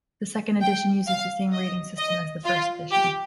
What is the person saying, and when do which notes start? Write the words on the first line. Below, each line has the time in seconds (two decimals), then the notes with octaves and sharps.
The second edition uses the same rating system as the first edition.
0.60 G5
1.07 F5
1.53 D#5
1.98 D#5
2.45 F4
2.91 G4